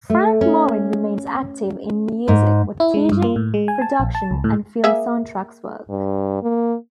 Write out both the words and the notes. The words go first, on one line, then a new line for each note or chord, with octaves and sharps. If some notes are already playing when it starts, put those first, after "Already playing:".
Frank Morin remains active in music, with teaching, production, and film soundtracks work.
A3
C#4
G#2
E4
G#3
G2
A#3
A2
G#3
G#5
A5
A#1
A5
C#2
A2
A#3 G#4 E5
G2
A#3